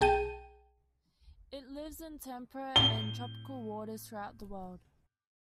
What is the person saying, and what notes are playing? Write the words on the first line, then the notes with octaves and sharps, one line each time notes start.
It lives in temperate and tropical waters throughout the world.
B1 G#4 G5 A5 D#7
A2 C4 G7